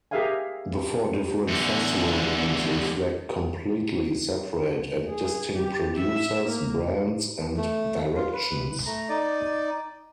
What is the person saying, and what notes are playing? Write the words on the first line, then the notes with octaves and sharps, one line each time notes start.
The four different festival names reflect completely separate and distinct producers, brands and directions.
G4 G#4 A#4 E5 F5 G#5
E2 D3
G#4
G4
E5
A#3
A3
F4
B4
A3 A#5
D#4 D5